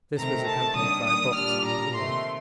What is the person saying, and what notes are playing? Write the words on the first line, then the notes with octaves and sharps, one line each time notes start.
This was accompanied by a box on the ear.
C3 D#3 A3 C4 A#5
A5
D#3 G3 A#3 D4 D#6
D#6
A#2 G3 D4 F6
A#5
C3 D#3 A3 C6